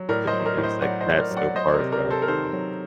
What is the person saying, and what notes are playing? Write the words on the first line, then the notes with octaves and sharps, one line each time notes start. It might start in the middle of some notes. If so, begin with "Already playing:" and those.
different things like that, so far is what I found
Already playing: F#3
A2 A#4 D5
C5 D#5
F#3
C5
A#4 D5
A2
C5 D#5
F#3 D5 F#5
C5 D#5
A2
A#4 D5
F#3
D5 F#5
F#3 C5 D#5
A#4 D5
C3
A#4 D5
C3
A4 C5
A#4
D#3 A4 C5
F#3